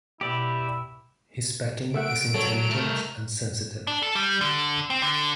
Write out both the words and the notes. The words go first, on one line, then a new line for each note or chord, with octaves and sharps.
His backing is intelligent and sensitive.
B2 E4 G4 D5
A3 E5 F#5 D7
F#3 A4 C#5
A3 A#4
D4
A4
G3
D3
C4
D3